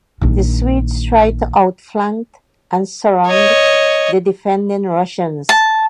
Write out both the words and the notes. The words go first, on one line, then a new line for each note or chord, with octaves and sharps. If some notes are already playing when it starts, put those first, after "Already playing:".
The Swedes tried to outflank and surround the defending Russians.
A#1 D#3
C#5 D#5
A5